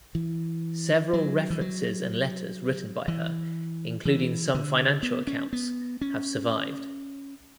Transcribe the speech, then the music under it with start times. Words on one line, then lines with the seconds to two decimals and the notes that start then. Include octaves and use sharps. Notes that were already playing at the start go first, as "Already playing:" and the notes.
Several references and letters written by her, including some financial accounts, have survived.
0.15 E3
1.13 F#3
1.50 E3
1.61 F#3
3.08 E3
4.05 E3
4.54 D3
5.03 B3
5.27 C#4
5.53 B3
6.01 C#4